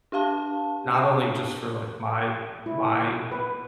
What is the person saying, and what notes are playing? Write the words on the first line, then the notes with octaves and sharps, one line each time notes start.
not only just for, like, my my
D4 G4 F5 A5
E4
B4